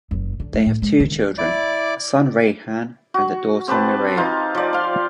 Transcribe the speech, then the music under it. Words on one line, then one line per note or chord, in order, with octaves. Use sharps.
They have two children; a son Raihan and a daughter Miraya.
F#1 F#2
D3
A3
A2
G#3
C3 D#3
E4 D5 D6
F#4
C4 G4 B4 A5
D#4 F4
F3 D5
F5 C6